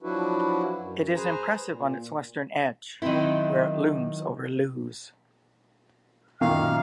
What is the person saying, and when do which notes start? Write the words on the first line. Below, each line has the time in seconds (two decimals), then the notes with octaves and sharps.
It is impressive on its western edge, where it looms over Lewes.
0.02 F3 F#3 D4 E4 F#4 B4
0.76 F#2
1.15 G#4 B4 C5 G#5 A#5
1.69 A#2
3.02 D#3 F#3 B3 C4 E4
6.41 F#2 A#2 D#3 F5